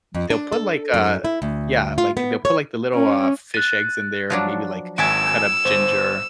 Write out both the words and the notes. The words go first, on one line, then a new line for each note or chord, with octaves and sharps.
they'll put, like, a Yeah, like, they'll put, like, the little, uh, fish eggs in there and maybe, like, cut up ginger.
F2
D4
A4
F#2
E4
D2
F4
B3
C#5
C#4
F#6 A6 D#7
F3 F#3 D4
G#1 F#4 E5 G#5 A5 E6 G#6 D7
G1 C5